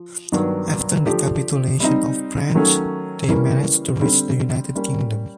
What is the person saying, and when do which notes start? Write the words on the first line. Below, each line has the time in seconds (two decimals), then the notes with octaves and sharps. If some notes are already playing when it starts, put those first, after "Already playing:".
After the capitulation of France, they managed to reach the United Kingdom.
Already playing: F3
0.32 G2 D#3 F#3 B3 D4
1.06 F3 A3 D4 G4
1.80 G3 C4 D#4
2.54 D#3 F#3 A3 C#4
3.28 C#3 E3 G3 A#3 C#4
4.01 D3 G3 C4
4.76 G3 A#3 C#4